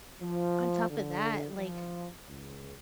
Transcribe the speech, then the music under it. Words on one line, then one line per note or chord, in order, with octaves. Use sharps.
On top of that, like,
F3
D3
F3
C#2